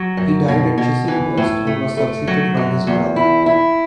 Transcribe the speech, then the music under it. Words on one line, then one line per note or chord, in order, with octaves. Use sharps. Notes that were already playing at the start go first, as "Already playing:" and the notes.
He died at Chislehurst, and was succeeded by his brother.
Already playing: F#3
F#2
B2
B2
E3
A2
A3
A3
F#3
F#2
E2
E4
E4